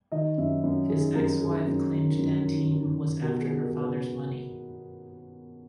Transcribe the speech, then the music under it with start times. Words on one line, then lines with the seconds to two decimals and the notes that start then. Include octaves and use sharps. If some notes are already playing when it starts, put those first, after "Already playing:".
His ex-wife claimed Dantine was after her father's money.
0.12 D#3 D#5
0.38 F#2 E5
0.64 F#2
0.89 D#3 G#4
1.15 F#2 A#4
1.41 D#3 G#4
1.67 F#2
1.93 D#3
2.19 F#2
2.44 D#3
2.70 D#3
2.96 D#3
3.21 B2 A#4
3.41 G#4
3.48 B2
3.61 A#4
3.73 B2
3.80 B4